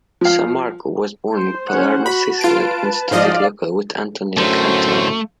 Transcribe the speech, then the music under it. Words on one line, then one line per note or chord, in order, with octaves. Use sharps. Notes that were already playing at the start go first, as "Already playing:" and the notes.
Sammarco was born in Palermo, Sicily, and studied locally with Antonio Cantelli.
F3 F5
C5
C#4 C5 F#5
F#4 B5
F4 B4 A5 D7
G#2 F3 D5 D#5 F5
F#2 A2 D3 A3 C5